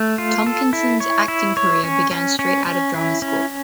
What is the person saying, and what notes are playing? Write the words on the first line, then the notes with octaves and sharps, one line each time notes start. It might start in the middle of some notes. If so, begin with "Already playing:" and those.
Tompkinson's acting career began straight out of drama school.
Already playing: A3
F4
A4
E4
C#5
E4
C#5
C#4
C#4
C#4
C#4
E4
C#4